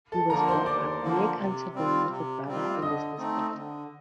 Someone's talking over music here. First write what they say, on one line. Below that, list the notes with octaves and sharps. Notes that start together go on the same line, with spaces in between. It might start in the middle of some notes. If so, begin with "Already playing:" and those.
He was brought up near Canterbury with a brother and a sister.
A4 A5
D3 F3 A#3 A#4 A#5
C5 C6
D#2 D5 D6
D3 F3 A#3
C3
G3 C4 F4
C3
G3 C4 F4
D3 D#5 D#6
A3 C4 D#4
D3